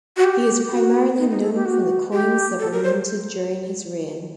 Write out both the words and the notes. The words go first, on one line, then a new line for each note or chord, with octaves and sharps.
He is primarily known from the coins that were minted during his reign.
F#4
G4
F#4
D#4
D#4
A4
G4
F#4
G4
A4
A#4
C5